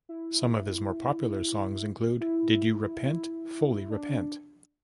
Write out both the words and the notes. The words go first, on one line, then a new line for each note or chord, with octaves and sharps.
Some of his more popular songs include Did You Repent, Fully Repent?
E4
E4
E4
D4